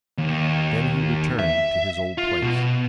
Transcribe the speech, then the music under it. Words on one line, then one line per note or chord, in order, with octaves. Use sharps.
Then he returned to his old place.
D#2
E5
F4
B2